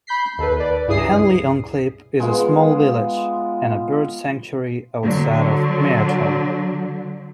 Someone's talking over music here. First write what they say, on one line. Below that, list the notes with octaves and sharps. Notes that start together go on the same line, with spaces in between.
Henley on Klip is a small village and a bird sanctuary outside of Meyerton.
B5 G6 B6 C7
D#2 A4 B4
B4 D5
C#2 G2 E4 G#4 D#6 C7
G#3 B3 F4
D3 F#3